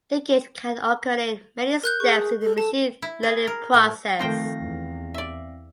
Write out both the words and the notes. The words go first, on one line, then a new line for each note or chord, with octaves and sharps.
Leakage can occur in many steps in the machine learning process.
A#4 F#6 G6
G#4 C#6
A4
A4 A5
E4
G#4
A#4
A2
D#3 F3 A3 C4 C5 F5 G5 A#6
E2
D5 E5